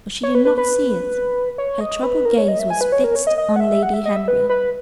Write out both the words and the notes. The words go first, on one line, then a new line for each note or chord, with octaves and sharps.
But she did not see it; her troubled gaze was fixed on Lady Henry.
C#5
B4
B4
B4
C#5
D#5
B4
A#4
C#5
D#5
E5
G#5
B4
C#5
A#4
C#5
D#5
D#5
F#5
E5
F#5
E5
D#5
E5
B4
B4